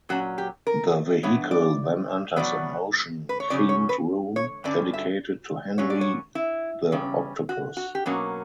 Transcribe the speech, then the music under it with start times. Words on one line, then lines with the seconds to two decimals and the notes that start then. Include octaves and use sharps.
The vehicle then enters an ocean themed room dedicated to Henry the Octopus.
0.09 A#2 F#3 C#4 F#4
0.38 G4
0.67 A#4
1.23 G2 E3 B3 C#5
1.51 D5
2.36 E2 B2 F#3 B3 D5
3.29 B4
3.40 C#5
3.50 C#3 F#3 C#4 D5
3.69 C#5
3.89 B4
4.36 C#5
4.64 G2 D3 G3 C#4 D5
4.93 E5
5.78 A#2 F#3 C#4 C#5
5.90 D5
6.01 C#5
6.35 E4
6.92 E2 C#3 G3 C#4
7.49 F#4
7.77 F#4
7.95 G4
8.06 B2 F#3 A#3 C#4 F#4